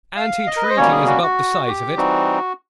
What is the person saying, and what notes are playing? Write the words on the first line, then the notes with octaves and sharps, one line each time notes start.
Antitreating is about the size of it.
F5
D#5
A#4
B4
C5
B2 G3 A#3 C#4 C#5
G#4
F#4
F#4
G4
E3 G3 C4 D#4 F#4